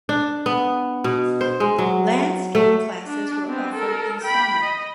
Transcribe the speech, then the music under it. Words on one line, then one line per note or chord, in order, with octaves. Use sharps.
Landscape classes were offered in summer.
D4
B3
B2
C5
G#3
F#3
A3
D4
B3 C4
A4 A#4
G5 B5
D#5